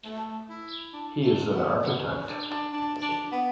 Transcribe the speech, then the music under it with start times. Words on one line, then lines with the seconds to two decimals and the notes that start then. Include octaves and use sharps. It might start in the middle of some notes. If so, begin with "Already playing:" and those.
He is an architect.
0.05 A3
0.49 E4
0.93 D4
1.23 A3
1.53 B3
1.83 B3
2.05 C#4
2.27 D4
2.50 D4
2.73 D4
3.02 D4
3.32 B3